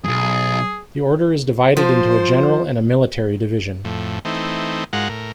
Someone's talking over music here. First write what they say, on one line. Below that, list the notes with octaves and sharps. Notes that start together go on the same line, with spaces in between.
The order is divided into a general and a military division.
B1 F2 G#4
F3 C5
F2 A2
E3 A3 C4 D#4
G#2 G#3 F4 F#4 A#4 F#5
A2 A#4